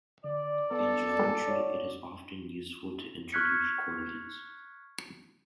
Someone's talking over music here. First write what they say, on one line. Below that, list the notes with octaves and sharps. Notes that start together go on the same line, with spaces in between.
In geometry, it is often useful to introduce coordinates.
D3 D5
B3 A4
F#4 C#5
C#6 F6 F#6 G#6 B6 C#7